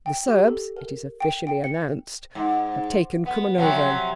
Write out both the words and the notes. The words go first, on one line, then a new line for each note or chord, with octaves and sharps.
The Serbs, it is officially announced, have taken Kumanovo . . .
G5
G4
A4
A#4
G5
G5
C#7
G#2
B3
C3 F3 F#3